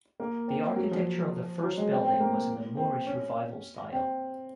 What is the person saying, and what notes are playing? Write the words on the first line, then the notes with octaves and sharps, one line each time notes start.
The architecture of the first building was in the Moorish Revival style.
A#3
C4
F#3
F3
F#3
G#3
C4
C4
A#3
C4
C#4
C4